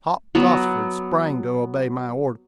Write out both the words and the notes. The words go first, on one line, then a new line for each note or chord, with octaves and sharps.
Hop Tossford sprang to obey my order.
F#3 B3 F#4